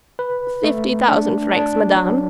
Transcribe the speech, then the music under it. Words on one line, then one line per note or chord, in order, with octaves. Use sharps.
"Fifty thousand francs, madame."
B4
A3
D4
D4
F#3